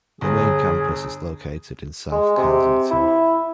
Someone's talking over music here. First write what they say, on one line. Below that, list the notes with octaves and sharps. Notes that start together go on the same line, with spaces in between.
The main campus is located in South Kensington.
G1 G#4
G#3
C3
E4